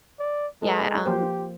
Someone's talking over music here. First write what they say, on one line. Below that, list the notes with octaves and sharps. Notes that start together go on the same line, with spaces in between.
yeah, um
D5
G#3 A4 B4
F3 A#3 G4 C5